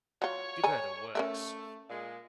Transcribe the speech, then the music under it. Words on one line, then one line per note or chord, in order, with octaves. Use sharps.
Give her the works.
F#3 F4 C#5
A4 G#5 A#5
A3 C#4 A#4 E5
A#2 G#3